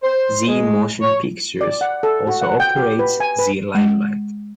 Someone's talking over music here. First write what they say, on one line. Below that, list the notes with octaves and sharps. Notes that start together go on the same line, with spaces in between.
Zee Motion Pictures also operates Zee Limelight.
C5
G#3
C#5
D5
F#5
A4
F#4
F#5
G5
G4
B4
G#5
B4
G#3